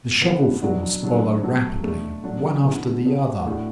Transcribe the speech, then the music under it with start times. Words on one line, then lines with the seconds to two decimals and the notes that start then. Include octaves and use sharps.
The shovelfuls follow rapidly, one after the other.
0.21 D3 B3 E4 A4
0.62 B2 F#3 D4 F#4
1.02 D3 F#3 D4 A4
1.43 F#3 A3 F#4 A4
1.83 B2 A3 D4 A4
2.24 F#3 D4 F#4 A4
2.65 D3 B3 E4 A4
3.05 B2 B3 F#4 A4
3.45 A2 A3 D4 F#4